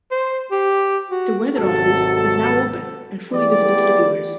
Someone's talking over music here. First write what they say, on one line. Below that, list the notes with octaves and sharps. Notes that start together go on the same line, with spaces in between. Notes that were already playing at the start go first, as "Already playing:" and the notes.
The weather office is now open and fully visible to the viewers.
C5
G4
F#4
G#1 G#2 C3 F#3 F#4 A4
E3 A3 B3 G4 G#4 D5